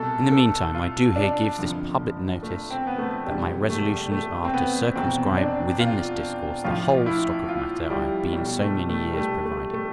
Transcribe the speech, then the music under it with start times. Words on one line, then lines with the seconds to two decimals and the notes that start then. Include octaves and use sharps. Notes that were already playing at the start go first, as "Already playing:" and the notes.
In the meantime, I do here give this public notice that my resolutions are to circumscribe within this discourse the whole stock of matter I have been so many years providing.
Already playing: C2 B2 A4
0.32 A4
0.74 F4
1.16 D4
1.59 G1 F2 D3 F3
2.43 A3
2.71 C4
2.87 B3
2.98 A3
3.26 E1 E2 C3 G3
3.69 A3
4.12 A3
4.45 C4
4.54 B3
4.96 F1 E2 B2 C4
5.37 D4
5.80 F4
6.64 A1 A2 F3 F4
7.06 E4
7.49 F4
7.90 G3
8.33 B1 B2 G3
8.61 A3
8.89 A3
9.13 G3
9.17 A3
9.45 A3
9.73 A3